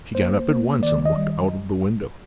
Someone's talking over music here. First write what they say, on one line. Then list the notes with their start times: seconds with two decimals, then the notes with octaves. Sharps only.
She got up at once and looked out of the window.
0.15 A#3 C5
0.49 A#3
0.83 D#3 D5
1.06 D#5
1.17 G3